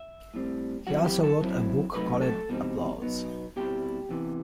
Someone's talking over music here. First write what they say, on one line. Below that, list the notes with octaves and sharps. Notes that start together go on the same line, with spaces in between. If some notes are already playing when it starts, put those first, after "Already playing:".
He also wrote a book called "Applause".
Already playing: E5
A2 G3 C4
F#2 F#3 C4 E4 F#4 F#5
G4 G5
A4 A5
F#2 F#3 C4 E4
C3 F#3 A3 D#4 B4 B5
A4 A5
E2 B2 G3 C4 D#4
B2 F#3 B3 D#4
B2 G3 C4 E4 G4 G5
E2 C3 E3